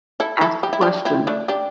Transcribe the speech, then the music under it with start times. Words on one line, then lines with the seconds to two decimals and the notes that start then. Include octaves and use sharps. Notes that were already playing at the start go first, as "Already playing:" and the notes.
ask the question.
0.20 E4 A4
0.41 E4 A4
0.63 G4
0.73 E4
0.81 D4 G4
1.05 C4 E4
1.27 A3 D4
1.48 D4 G4